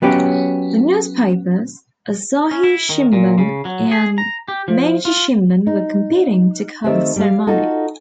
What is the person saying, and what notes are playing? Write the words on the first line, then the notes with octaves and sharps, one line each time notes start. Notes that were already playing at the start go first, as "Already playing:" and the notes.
The Newspapers Asahi Shimbun and Mainichi Shimbun were competing to cover the ceremony.
F#3 B3 C#4 G4
C#4
E4
D#3
A#2
C#3
F#3
G#4
A#5
G4
F3
F4
D#4
D#3 A3 C4 G4 E5
G3 G4 F5
D#4 F4 F#4 A4